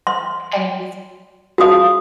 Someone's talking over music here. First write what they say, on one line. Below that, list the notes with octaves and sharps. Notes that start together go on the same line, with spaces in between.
and it was
C6
C#3 F3 F#4 F5 D#6